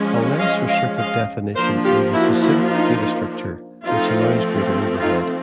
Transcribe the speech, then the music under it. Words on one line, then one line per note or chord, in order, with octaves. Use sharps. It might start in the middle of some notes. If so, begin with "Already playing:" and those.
A less restrictive definition is a succinct data structure, which allows greater overhead.
Already playing: F3 G#3 C#4
D#5 F5
D#5 F5
D#5 F5
F3 A#3 D4 A#4 C5
F4 G4
E4 F#4
E4 F#4
D#4 F4
F3 A3 C4 D#4 F4
D#4 F4